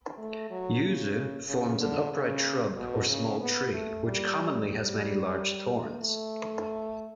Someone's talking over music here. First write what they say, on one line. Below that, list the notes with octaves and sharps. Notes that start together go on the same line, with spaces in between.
Yuzu forms an upright shrub or small tree, which commonly has many large thorns.
A3
F#3
C#3
C#3
D3
C#3
B2
C#3
B3
A3
G3
G3
A3